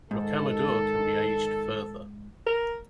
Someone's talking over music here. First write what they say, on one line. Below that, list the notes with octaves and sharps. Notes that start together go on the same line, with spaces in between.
Rocamadour can be aged further.
G#2 D#3 A4
A#4